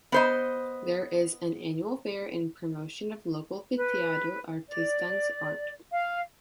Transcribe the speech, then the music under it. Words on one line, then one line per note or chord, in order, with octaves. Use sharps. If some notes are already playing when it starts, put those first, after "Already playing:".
There is an annual fair in promotion of local piteado artisan's art.
B3 C5 D#5
B4
D5
F5